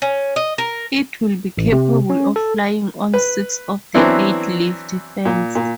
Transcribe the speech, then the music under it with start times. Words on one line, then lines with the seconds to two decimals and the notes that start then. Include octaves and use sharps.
It will be capable of flying on six of the eight lift fans.
0.02 C#4
0.36 D#5
0.58 A#4
1.57 A1
1.72 C3
2.10 C#4
2.36 A4
3.14 B4
3.95 E3 F#3 B3 C4 D4 E4
5.25 A#2
5.55 A#2